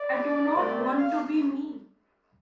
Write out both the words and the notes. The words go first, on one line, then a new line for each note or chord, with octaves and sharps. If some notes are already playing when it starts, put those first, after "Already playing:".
I do not want to be me.
Already playing: D5
C2 C3 A3 C4
F5